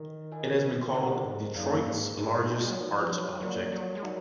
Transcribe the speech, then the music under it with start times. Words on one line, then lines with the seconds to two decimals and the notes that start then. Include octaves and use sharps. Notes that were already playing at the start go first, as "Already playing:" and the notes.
It has been called "Detroit's largest art object".
Already playing: D#3
0.31 F4 A#4 D#5 G#5
0.93 D3 D#4 A#4 D#5 F#5
1.03 B2
1.12 D3
1.24 G#2
1.55 F#2 A#3 D#4 G#4 D5 F5
1.86 G#2
2.17 G#2 D#4 A#4 D#5 G#5
2.48 A#2
2.59 G#3
2.69 F#3
2.79 F3 D#4 F#4 B4 D5
3.10 F#3
3.41 F#3 A#3 F4 A#4 D5
3.72 F#3
3.95 G#3
4.02 F#3 D#4 F#4 A#4 D5